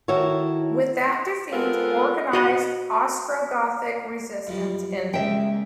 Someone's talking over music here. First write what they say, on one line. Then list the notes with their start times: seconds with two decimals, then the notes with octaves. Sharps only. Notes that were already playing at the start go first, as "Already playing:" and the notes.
With that defeat, organized Ostrogothic resistance ended.
0.08 D#3 E4 F#4 A4 C#5
1.51 G#3 B3 C4 F4 A4 A#4
2.33 F#4 D#5 F#5
4.47 F#2 F3 G3
5.14 C#3 G#3 A#3 E5 G5